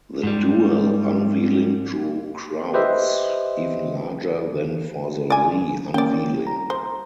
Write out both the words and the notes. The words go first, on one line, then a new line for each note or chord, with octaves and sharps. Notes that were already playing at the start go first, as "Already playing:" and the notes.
The dual unveiling drew crowds even larger than for the Lee unveiling.
G#2 G3
G4 B4 C5 D#5 E5
D5 G#5
A#3 C#4 D5 G5
A#5
C5